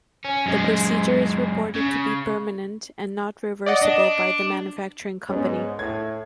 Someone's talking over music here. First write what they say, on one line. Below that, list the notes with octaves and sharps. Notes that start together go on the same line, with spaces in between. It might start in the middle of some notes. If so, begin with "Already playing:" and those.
The procedure is reported to be permanent and not reversible by the manufacturing company.
C#4
F#2 G#3
C#3
D5 D#5 F#5
D4 D#5
G#2 B3 C#4
A2 G#6